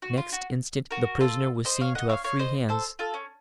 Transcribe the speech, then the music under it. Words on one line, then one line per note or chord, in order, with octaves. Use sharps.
Next instant the prisoner was seen to have free hands.
F#4
F4
F#4
F#4 A#4
F4 A4
C5 D#5
C#5 F5
D#5 F#5
C#5 F5
C#5 F5
C5 D#5
A4 C5
F4 A4
C#4